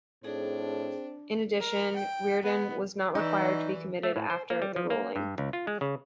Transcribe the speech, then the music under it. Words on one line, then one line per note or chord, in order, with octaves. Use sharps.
In addition, Reardon was not required to be committed after the ruling.
A2 C4 D4 D#4 G#4
A#4
G5
B3
E3 D#4 D5 C#6 E6
A3
A2
C5
A#3
G3
F3
A#3
G2
C#2
F4
G#3
C#3